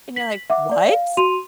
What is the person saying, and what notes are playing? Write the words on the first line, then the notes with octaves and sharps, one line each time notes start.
And you're like, "What?"
B6 F#7
E5 F#5 D6
D5
F5
F#4 C6 D#7 F7